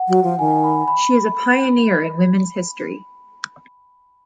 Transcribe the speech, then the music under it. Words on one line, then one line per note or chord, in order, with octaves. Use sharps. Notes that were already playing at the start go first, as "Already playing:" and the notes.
She is a pioneer in women’s history.
Already playing: F#5
F#3
F3
D#3 G#5
B5
B5
B5